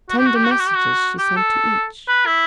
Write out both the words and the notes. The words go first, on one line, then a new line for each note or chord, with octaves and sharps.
Tender messages she sent to each.
F#4
G4
F#4
G4
F#4
G4
F#4
G4
F#4
G4
A4
B4
E4